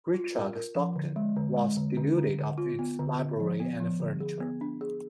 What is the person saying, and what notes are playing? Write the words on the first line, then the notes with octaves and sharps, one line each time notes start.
Richard Stockton, was denuded of its library and furniture.
F4
A#4
A#4
F3
D3
G#3
D3
G#3
D3
D3
D3
D3
F4
B3
D3
D3
F3
B3
F3
D3
G#4
B3
D4
G#4